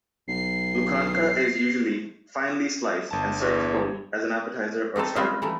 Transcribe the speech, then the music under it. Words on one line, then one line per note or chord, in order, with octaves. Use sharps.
Lukanka is usually finely sliced and served cold as an appetizer or starter.
B1 C7
G1 A5
E2
A3 C4 D#4 A4
G3 G#3 C4 C#4 F4 E5
E3 A3 D#4